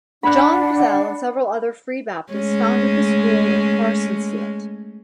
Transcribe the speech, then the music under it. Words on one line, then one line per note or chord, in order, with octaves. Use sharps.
John Buzzell and several other Free Baptists founded the school in Parsonsfield.
D4 F#5 B5 F#6
G#3 A3 C#4